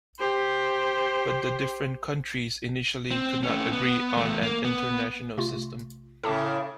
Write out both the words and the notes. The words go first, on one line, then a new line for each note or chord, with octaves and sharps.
But the different countries initially could not agree on an international system.
G4 C5
C4
A3 C#4
B3
E2 A3
A#3
B3
C3 A3 F4
A2 C#3 A4 A5 D6